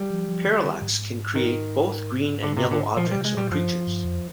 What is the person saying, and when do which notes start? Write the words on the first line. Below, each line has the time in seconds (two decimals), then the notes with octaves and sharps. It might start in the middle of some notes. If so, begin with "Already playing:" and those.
Parallax can create both green and yellow objects or creatures.
Already playing: G3
0.10 F3
0.28 F3
0.46 D#3
0.64 D#3
0.82 G#2
1.35 D#3
2.43 D3
2.57 C3
2.71 D3
2.97 A#2 F3
3.11 C3 G3
3.24 G#3
3.34 A#2 G3
3.51 G2 F3
3.87 G2
4.05 F2